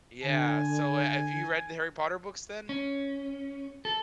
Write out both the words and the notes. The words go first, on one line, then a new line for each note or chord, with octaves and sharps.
Yeah. So, ha have you read the Harry Potter books then?
D3 G#5
C#4
A4